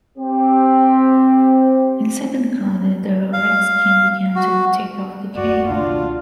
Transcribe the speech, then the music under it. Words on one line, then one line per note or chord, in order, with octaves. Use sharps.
In the second quarter, the Redskins began to take over the game.
C4 G4
F5
F#4
D1 F#2 F#4 D5
C#2 B2 D#3 D4 F4